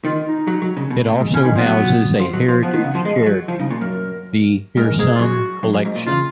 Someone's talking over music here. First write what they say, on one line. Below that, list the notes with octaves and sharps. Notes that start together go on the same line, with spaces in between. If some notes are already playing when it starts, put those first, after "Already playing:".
It also houses a heritage charity, The Hearsum Collection.
D#3 F4
D#4
F#3
F#3
C#3
B2
A#2
G#2
B2 C#4
D#3
F3 B3
F#3
F#3
F3
F#3
F3
F3 B3
D#3
C#3
F3
G#3
F#3
F3
C#3 D#4
A#2 F#4
F#2 A#4
G#2 A#4
G#2 G#4
F4
F#2 F#4
F#2
F#2
G#2
A#2
C#3 F4